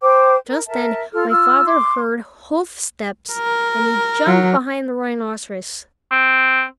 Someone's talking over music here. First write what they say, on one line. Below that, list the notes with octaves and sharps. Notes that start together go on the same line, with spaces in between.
Just then my father heard hoofsteps and he jumped behind the rhinoceros.
C5 G5 D6
A#4
A#4 E5 A5
F4 A4 F6
F4 E6 F6
C6 D6
A#4
F#3
C4